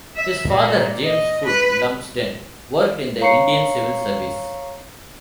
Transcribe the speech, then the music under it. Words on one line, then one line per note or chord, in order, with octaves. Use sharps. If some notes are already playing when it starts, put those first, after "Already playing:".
His father, James Foot Lumsden, worked in the Indian Civil Service.
E5
A#2
D#5
B4
C#5 F5 A#5 C#6 C7 C#7